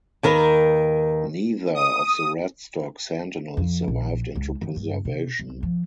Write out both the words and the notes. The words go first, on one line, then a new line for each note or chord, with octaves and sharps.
Neither of the Radstock Sentinels survived into preservation.
D#2 D#3 A#4 B4
D#6
F2
A#1
C#2
D#3
G2
C3
C2
F3